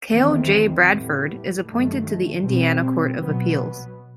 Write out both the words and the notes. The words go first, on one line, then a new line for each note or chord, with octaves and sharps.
Cale J. Bradford is appointed to the Indiana Court of Appeals.
E2 D#3 A3 C4
A2 G3 B3
G2 D#3 F#3 A3
B2 G3 C4
B2 F#3 B3